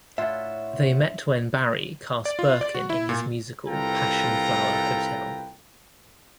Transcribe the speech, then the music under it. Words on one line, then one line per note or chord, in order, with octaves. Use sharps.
They met when Barry cast Birkin in his musical Passion Flower Hotel.
A2 D4 E4 F4 C#5 E5 F#5 C6
D5
F4
D5
F#4
E4
A#2
C2 F4 A4 B4 G5 A#5